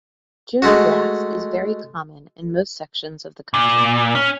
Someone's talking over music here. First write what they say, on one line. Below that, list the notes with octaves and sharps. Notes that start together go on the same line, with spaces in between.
June grass is very common in most sections of the country.
G#3 A3 F#4
A#2
C#4